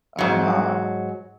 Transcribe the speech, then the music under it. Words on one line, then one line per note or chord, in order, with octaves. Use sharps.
I'm not,
G#2 F#3